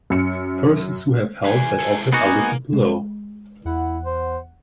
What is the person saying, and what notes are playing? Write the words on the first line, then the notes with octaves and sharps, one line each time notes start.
Persons who have held that office are listed below.
F#2 C#7
E3 G#4 B4 G#5
E4 G#4 A4
A#3 B3 D#4 F#4 G#5
G#3
E2 E4 F#5
C5